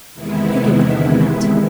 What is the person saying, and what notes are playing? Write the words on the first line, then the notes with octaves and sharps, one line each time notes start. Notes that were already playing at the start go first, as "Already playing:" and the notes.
I think it of little moment.
E2 C3 D#3 G#3 B3 E4